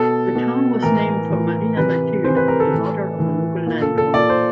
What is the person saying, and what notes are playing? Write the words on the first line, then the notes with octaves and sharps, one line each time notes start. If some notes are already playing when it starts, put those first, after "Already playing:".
The town was named for Maria Matilda, the daughter of a local landowner.
Already playing: B2 A4
B2
A2 E3 A#4
A2 E3
C3 E3 B4
C3 E3 C5
B4
A#4
A4
A2 E3
A2 E3
A#2
A4
A4
A#2 D5
C5